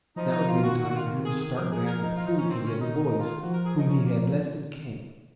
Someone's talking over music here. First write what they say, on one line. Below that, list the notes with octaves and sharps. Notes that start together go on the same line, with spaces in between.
That would be in time for him to start back with food for the other boys, whom he had left in camp.
F3 D#4
D#4
F4
D#3 F#4
F#4
F#4
F4
G#4
G#4
F3 A#4
G#4
A#4
D#4
F4
D#4
C#4
D#3 C4
C#3 C#4
D#3 D#4
D#4
F4
F3 F#4
A#4
G#4
D#4
C#4
A#3